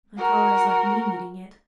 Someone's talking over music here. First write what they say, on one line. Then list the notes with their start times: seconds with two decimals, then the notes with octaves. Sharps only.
My caller has left me needing it.
0.17 F#4 A#4